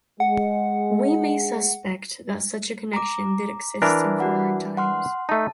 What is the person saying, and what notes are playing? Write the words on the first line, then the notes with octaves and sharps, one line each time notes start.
We may suspect that such a connection did exist in former times.
G#3 F#5
A#5 D6
E3 D4 A#4
F#4 F#5 B5
F#5 C6 F6
A3 D#4 A5